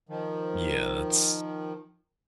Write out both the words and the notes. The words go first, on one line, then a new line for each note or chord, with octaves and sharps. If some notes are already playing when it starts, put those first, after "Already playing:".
Yeah, that's
D#3 F3